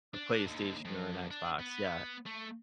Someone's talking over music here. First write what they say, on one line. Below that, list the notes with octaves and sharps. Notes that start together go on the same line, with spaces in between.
A PlayStation or an Xbox, yeah.
D4
D#2 D3
F2
D4
B3
A3